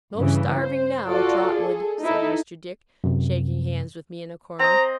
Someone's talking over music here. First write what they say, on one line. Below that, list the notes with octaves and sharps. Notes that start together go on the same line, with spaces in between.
'No starving now, Trotwood,' said Mr. Dick, shaking hands with me in a corner.
G2 C#3 E3
C5
F4 F#4 A4 D5
G#4 A4
D#4 E4 A4
F#2 C3
C4 D#5 A#5